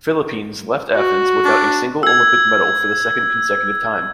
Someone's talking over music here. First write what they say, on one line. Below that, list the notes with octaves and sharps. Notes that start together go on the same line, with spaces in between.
Philippines left Athens without a single Olympic medal for the second consecutive time.
F#4
D4
E6 G#6